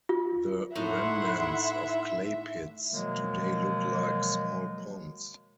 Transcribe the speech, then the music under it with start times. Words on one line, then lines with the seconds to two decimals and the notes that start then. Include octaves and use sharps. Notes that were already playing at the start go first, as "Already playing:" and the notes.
The remnants of clay pits today look like small ponds.
0.09 F4
0.75 A2 D#4 E4 E5 F#5 C6
2.92 B2 D#3 F3 F#3 G#3 A#3